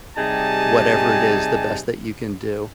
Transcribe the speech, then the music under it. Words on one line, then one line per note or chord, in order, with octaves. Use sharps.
whatever it is, the best that you can do.
C3 G3 D#4 G#4 G#5 A5